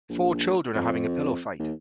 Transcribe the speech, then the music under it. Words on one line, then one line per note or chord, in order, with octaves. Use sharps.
Four children are having a pillow fight.
A#1
F2
D#2